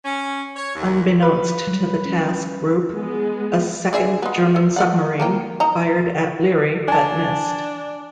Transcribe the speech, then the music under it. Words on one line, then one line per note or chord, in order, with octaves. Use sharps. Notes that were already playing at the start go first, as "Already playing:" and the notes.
Unbeknownst to the task group, a second German submarine, fired at "Leary" but missed.
C#4
C#5
D#2
B4
F#3 G3
C#4
G#3 B3
D3 G#4 E5
G#3 B3
A4
A4 D5 F#5
A#3 A#4 G5
D#4 D#5 A#5
D4 G#5 A5